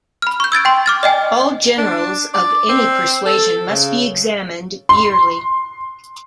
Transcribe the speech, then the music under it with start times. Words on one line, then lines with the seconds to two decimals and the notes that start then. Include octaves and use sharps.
All Generals of any persuasion must be examined yearly.
0.22 B5 F6
0.40 C#6 G6
0.52 E6 G#6 A6 D7
0.65 G5 C6
0.86 D6 F6 A6
1.03 D5 D#5 G5 G#5
1.78 D4
2.34 D5
2.69 C4
3.25 A4
3.70 C#3
4.89 C6